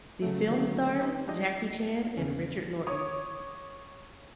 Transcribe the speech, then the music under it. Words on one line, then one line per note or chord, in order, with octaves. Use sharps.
The film stars Jackie Chan and Richard Norton.
C#3 F#3 A3
D3 D#3 F#3 A3 A#3
D#4 G4 B4
G#3 D4 E4 G4 D#5
E2 C#3 C#4
C#5 D6 D#6